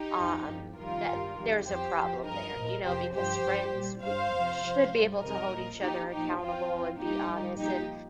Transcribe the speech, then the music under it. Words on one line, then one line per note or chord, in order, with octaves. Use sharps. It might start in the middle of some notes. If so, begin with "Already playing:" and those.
um, that there's a problem there, you know, because friends we should be able to hold each other accountable and be honest, and
Already playing: D#4 G4
F2 F3
G2 F3
F2 D#3 G3 F4 A#4
G2 G3
F2 D#3 G3
F2 F3 G4 C5
F2 F3
G2 F3 A#4 D#5
A#2 F3
F2 C3 F3 G4 C5
G2 F3 G4 C5
G2 F3
A#2 G3
G2 G3 C5 F5
F2 C3 F3
F2 C3 F3
G2 G3
F2 C3 D#3 G3 A#4 D#5
A#2 F3
A#2 F3 D#4 G4
A#2 F3 D#4 G4
F2 F3 C4 F4
F2 F3
A#2 G3 D#4 G4
G2 D#3 G3
A#2 F3 D#4 G4